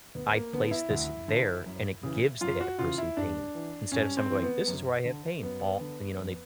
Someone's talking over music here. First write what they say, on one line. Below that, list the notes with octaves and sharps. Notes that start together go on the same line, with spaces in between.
I place this there, and it gives that person pain. Instead of someone going, this is where I have pain, and, you know, and they
D2 B3
A#3
D3 B3
E4
D2
D3
F#2
C#3 E3
F#2 F4
F#4
C#3 E3 F4
E4
G2 D4
E3
G2 C#4
C4
E3
B3
F#2
D3
F#2 B3
D3
F2